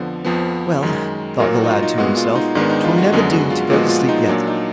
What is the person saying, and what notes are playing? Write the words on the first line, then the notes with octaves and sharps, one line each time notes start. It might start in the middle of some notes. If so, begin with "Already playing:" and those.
'Well!' thought the lad to himself, ''twill never do to go to sleep yet.
Already playing: F2 D3 F3 B3
F2 F3 B3
F#2 D#3 G#3
A#2 F#3 A#3 A#4
F#4
D#4
F4
D#4
A#2 G#3 B3 F#4
F4
D#4
G#2 D#3 G#3 B3 D4
D#4
F4
F#4
F#2 D3 G#3 B3 G#4
F#4
F4
A#2 F3 G#3 B3 F#4
F4
D#4
A#2 F#3 A#3 D4
D#4